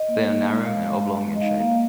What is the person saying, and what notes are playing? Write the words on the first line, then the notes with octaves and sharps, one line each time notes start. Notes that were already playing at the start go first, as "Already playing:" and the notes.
They are narrow and oblong in shape.
Already playing: D#5
A#3
D#4
G#3
G#3 F5
G#3
G#3
G#3
D#5
D#4 F5
A#3 F5